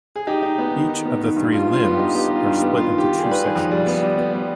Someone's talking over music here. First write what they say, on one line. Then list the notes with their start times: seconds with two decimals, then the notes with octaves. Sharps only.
Each of the three "limbs" are split into two sections.
0.16 G#4
0.27 D#4 G4
0.42 D#4
0.58 B3
0.74 D#3
0.89 D#3
1.05 B3
1.21 D#3
1.36 G2
1.52 G2 F4
1.68 G2
1.73 F4
1.84 B3
1.94 G4
1.99 D#4
2.15 B3 G4
2.31 D#4
2.36 F4
2.46 G2
2.56 G4
2.62 B3
2.77 D#3 F4
2.92 D#3
2.98 G4
3.08 D#3
3.18 G#4
3.24 G3
3.31 B4
3.40 D#3 G#4
3.56 F2
3.71 G3
3.86 B3
4.02 G3
4.18 B3
4.33 G3